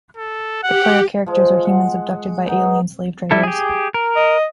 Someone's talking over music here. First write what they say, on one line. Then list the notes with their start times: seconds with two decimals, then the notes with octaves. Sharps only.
The player characters are humans abducted by alien slave traders.
0.17 A4
0.63 G4 F#5
1.26 F3 G#3
1.65 F#5
2.46 B3 D#4
3.31 G3 E4 A4
3.43 G4 G#4
3.94 A#4
4.16 D#5